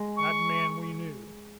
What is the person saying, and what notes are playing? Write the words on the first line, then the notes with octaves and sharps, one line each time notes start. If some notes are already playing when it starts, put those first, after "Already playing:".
That man we knew.
Already playing: G#3
C#6